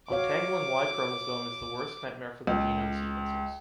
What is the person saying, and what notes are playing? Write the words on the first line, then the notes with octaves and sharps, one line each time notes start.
Untangling Y-chromosome is the worst nightmare for the genome sequencers.
F#4 C#5 F5 D6
C#2